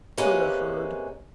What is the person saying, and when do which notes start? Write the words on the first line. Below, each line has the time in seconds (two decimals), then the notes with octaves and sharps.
Tode heard.
0.18 C3 G#3 A#3 C#4 B4